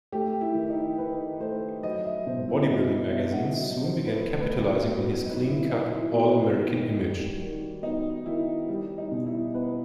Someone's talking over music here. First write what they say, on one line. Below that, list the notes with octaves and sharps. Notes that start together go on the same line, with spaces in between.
Bodybuilding magazines soon began capitalizing on his clean-cut, all-American image.
A3 G4
E4
D#3
D#4
D#3 B4
A3 C5
F#3 D#5
E5
B2 C5
E4
B3 F#4
B2 E5
F#5
E5
F#3 D#5
C5
A2
B4
C5
A3 B4
G4
F#4
A2
F#4
F#3 D#4
E4
D#3 D#4
E4
B3 F#4
D#3
G3
D#3
B3 D#4
D#3 E4
G3
D#4
B2
E4
B3 B4